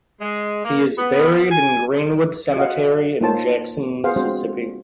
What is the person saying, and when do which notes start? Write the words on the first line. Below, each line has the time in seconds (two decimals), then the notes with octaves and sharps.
He is buried in Greenwood Cemetery in Jackson, Mississippi.
0.21 G#3
0.65 A#3
0.98 B3
1.51 G#5
2.56 F#4 D#5 F5 F#5
3.21 A#3 D#4 F4 C5 C#5 A5
4.04 B3 G#4 C5 F5 F#5
4.16 G#3 C4 D4 F#4 C5